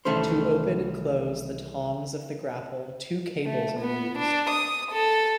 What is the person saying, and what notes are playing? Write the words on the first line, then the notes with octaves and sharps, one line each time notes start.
To open and close the tongs of the grapple, two cables are used.
C2 D#3 E3 A3 C#4 C5
A3
B3
D4
D#6
A4